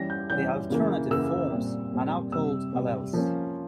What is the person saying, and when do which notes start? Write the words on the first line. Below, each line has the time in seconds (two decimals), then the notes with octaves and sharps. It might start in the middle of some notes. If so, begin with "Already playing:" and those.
The alternative "forms" are now called alleles.
Already playing: E3 G3 C#4 A#6
0.10 G6
0.30 E3 G3 C#4 G6
0.70 C#3 E3 A#3
1.11 C#3 E3 A#3 E6
1.51 A#2 G3 C4
1.92 A#2 G3 C4
2.32 C3 G3 C4 E6
2.73 C3 G3 C4
3.13 F3 A#3 C#4